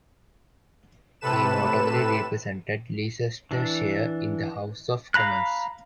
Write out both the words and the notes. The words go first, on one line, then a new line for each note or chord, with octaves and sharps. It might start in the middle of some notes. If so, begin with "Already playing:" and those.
He notably represented Leicestershire in the House of Commons.
A2 C3 A4 B4 E7
E3 D4
F5 A#5 B5 F#6